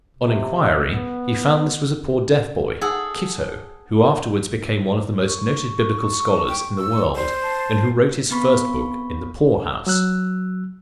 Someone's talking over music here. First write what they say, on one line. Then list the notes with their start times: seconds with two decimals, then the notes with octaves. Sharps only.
On inquiry he found this was a poor deaf boy, Kitto, who afterward became one of the most noted Biblical scholars in the world, and who wrote his first book in the poor-house.
0.17 C3
0.89 B3
2.81 G#4 A4 F#5
5.28 C#6
6.49 G5
6.77 E6
7.15 C5 D5
7.42 A5
8.31 B3 C4 B5 C#6 B6
9.87 F#3 E6 F#6